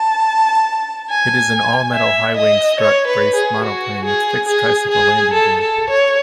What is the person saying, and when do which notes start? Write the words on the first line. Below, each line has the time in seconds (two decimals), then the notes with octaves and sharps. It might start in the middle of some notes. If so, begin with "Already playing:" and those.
It is an all-metal high-wing strut braced monoplane with fixed tricycle landing gear.
Already playing: A5
1.10 G#5
1.93 E5
2.36 D#5
2.79 C#5
3.06 B4
3.35 G#4
3.63 F#4
4.05 G#4
4.48 G#4
4.90 G#4
5.32 A4
5.60 A4
5.89 C#5